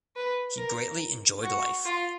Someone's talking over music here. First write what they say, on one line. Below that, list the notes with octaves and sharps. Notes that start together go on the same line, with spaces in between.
He greatly enjoyed life.
B4
A#4
F#4
F4